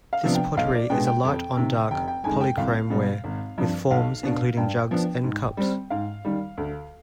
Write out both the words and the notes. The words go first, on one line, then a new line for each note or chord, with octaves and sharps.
This pottery is a light-on-dark polychrome ware, with forms including jugs and cups.
F5
C3 F3 B3 D4
G5
B1 F5
D5
B2 G#3 B3 D4 G5
G5
F2
C3 D#3
F1 G5
G5
F2 D#3 G#3 G#5
G5
C2 F5
B2 G3
G#1
G2 F3 C4
B1 F5
B2 B3 D4
G2 G5
F3 B3 D4
G#2
G3 C4
G#2 F5
D#3 G3
D2